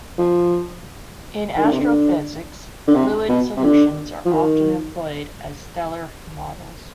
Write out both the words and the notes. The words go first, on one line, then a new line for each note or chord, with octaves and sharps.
In astrophysics, fluid solutions are often employed as stellar models.
F3
D#3
D3
C3
D3
D3
C3
B2
C3
D3
F3
D#3